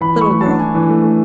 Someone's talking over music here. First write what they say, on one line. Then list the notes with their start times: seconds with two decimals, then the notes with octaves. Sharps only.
Little girl.
0.01 E3 B5
0.16 A3
0.21 C#6
0.30 E3
0.41 D4 A5
0.59 E3 G#5
0.75 E3
0.89 A3
1.03 A3